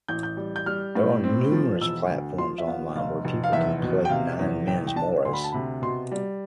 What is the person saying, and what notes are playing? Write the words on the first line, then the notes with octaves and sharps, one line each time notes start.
There are numerous platforms online where people can play nine men's morris.
A1 G6
G6
G3
G6
G3 F6
A2
C4
F3
E1 E6
D2
F3 C6
E5
B3 F5
F1 F5
F1
F5
E2 E5
B2
G5
C3 F5
E2
C2 G5
G5
D4 A5
D2 C6
B5
A5
C3 B5
B2 C6
G3